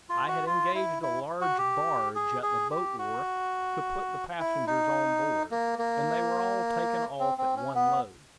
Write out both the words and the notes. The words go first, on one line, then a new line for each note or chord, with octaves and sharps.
I had engaged a large barge at the boat-wharf to put the passengers on board, and they were all taken off at one load.
F4
F#4
F4
E4
E4
F#4
G4
G#4
G#4
G4
F#4
E4
D#4
A#3
A#3
C4
C4
C#4
B3